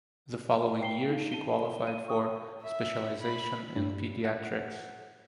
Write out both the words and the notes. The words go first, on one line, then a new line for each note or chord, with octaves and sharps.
The following year she qualified for specialization in pediatrics.
G5 C7 G7
D#4 F5
A5 D#7 G7
A4 B5
C#5 F5 D#7
C#6 D#6
E5
B5
G2
F#5